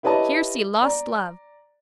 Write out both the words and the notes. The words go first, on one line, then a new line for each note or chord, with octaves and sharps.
Here see lost love.
E4 G4 B4 C#5 D#5 A5
D5 A#5